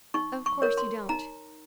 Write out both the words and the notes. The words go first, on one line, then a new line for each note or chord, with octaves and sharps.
Of course you don't.
D#4 C#6
C#6
A#4 C#5
C6
D#4 A#5